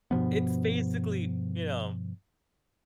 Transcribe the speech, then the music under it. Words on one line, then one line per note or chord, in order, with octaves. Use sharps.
it's basically, you know
G2 B2 F3 B3